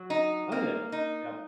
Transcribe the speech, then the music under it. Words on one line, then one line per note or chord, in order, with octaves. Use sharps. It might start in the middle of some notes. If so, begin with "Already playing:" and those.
Oh, yeah, yep.
Already playing: F#3
D#4
A#3
D#4